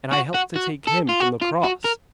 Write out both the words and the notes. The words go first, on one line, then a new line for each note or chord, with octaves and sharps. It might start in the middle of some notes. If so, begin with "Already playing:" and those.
And I helped to take Him from the cross.
F#4
F#4
F#4
A4
F4
F#4
F4
F#4
A#4